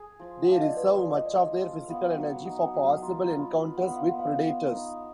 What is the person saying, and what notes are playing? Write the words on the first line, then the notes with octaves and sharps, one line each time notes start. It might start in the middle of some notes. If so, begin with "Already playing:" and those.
They reserve much of their physical energy for possible encounters with predators.
Already playing: G#4
F3
F#5
D4 F5
D#5
D5
F4 B4
D5
G#3
D#5
D5
G#3
D#5
F4
B3 F5
F#3 F5
D#4 F#5
F#5
F#3
G#5
F4 A#5
A#5
F4
B5
B4
F#5
B3
F5
F#5
B3 F5
B3
D#4